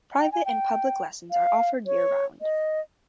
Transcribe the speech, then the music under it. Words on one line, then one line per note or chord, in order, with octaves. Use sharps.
Private and public lessons are offered year round.
G5
G#5
G5
F5
C#5
D#5